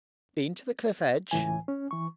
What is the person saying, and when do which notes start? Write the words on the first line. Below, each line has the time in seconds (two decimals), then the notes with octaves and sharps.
"Been to the cliff edge?"
1.31 C#2 A2 E3 G#5
1.68 C#4
1.91 E3 C#6